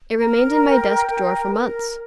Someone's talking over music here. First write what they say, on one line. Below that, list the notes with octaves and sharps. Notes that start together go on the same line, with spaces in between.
It remained in my desk-drawer for months.
A#4
G5
A#4
A#4